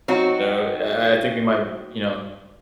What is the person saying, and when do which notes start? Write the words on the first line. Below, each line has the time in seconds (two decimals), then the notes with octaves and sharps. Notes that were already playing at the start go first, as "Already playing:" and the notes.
so I I think we might, you know,
0.08 F#3 C4 D#4 F#4